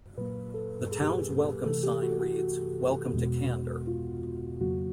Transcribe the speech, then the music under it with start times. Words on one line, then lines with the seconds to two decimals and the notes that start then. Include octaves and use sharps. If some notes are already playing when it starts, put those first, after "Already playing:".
The town's welcome sign reads: Welcome to Candor.
0.17 A#2 F#3 A#3 B4
0.54 A4
0.91 G#4
1.02 G4
1.12 G#4
1.65 C3 E3 A3 A4
1.83 G4
2.02 F#4
2.21 F#4
2.39 F#4
3.13 E2 B2 G#3 B3
3.87 F4
4.61 F2 C#3 F#3 A#3 F#4